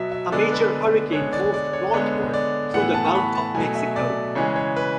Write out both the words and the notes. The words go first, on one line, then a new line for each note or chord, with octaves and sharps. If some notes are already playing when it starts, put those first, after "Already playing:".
A major hurricane moved northward through the Gulf of Mexico.
Already playing: B2 F#3 B3 E5
E5
D3 G#3 B3 D5
B4
D3 G#3 B3 C#5
D5
D5
C#5
D3 G#3 B3 C#5
D5
A2 E3 B3 F#5
A5
C#6
B5
A5
B2 F#3 A3 G#5
E5
D5
C#3 E3 G#3 C#5
C#5
B4